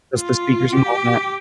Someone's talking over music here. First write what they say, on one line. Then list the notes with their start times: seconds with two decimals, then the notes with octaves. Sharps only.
just the speakers and all that.
0.17 F4
0.72 G4